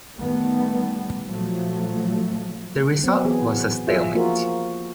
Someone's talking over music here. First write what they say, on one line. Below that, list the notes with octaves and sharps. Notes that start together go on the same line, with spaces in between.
The result was a stalemate.
D#3 G3 A3 B3
A#2 F3 F#3 A3
F#3 B3 C4
E3 B3 G#4
F4 G#4 E5
F3 A#3 F4 F#4 A#4